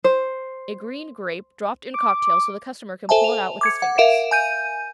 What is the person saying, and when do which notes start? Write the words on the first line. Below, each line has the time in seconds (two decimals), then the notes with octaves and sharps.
A green grape dropped in a cocktail so the customer can pull it out with his fingers.
0.04 C5
1.94 D6
3.09 A4 C5 E5 G#5 A5
3.24 F7
3.61 D6 G#6 C#7
3.82 F#5
3.98 A#4 E5 F5 D7 E7
4.31 G#5 G6 D#7